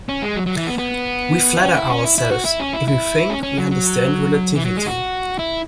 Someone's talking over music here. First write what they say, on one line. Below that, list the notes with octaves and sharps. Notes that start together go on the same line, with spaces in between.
We flatter ourselves if we think we understand relativity.
C#4
G#3
F#3
F#3
E3
B3
B3
E4
C#4
E4
C#4
E4
E4
F#4
E4
C#4
E4
E4
C#4
C#4
F#3
F#3
E3
F#3
G#3
F#4
E4